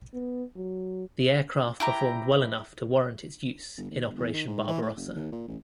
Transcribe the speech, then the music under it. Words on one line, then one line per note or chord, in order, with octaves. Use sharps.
The aircraft performed well enough to warrant its use in Operation Barbarossa.
B3
F#3
E4 G4 A#5
G1
D#2
G1
E2
D#3
G#2
E3
A2
F#1
D#2
A#2
A1